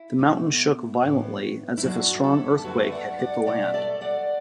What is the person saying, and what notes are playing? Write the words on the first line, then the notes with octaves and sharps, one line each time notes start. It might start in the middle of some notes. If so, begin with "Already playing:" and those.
The mountain shook violently as if a strong earthquake had hit the land.
Already playing: E4
B2 A3
A2 E3 B3
E4
F#2 F#3 A3 D4 F#4
E4 A4
A4
F#2 D3 A3 F#4 B4
E5
D5 F#5
D5 F#5
B2 A3 D5 F#5
E5
A4 D5
D5 F#5